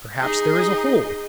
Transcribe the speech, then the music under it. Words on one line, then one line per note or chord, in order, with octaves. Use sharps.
Perhaps there is a hole.
D#4 G#4 D#5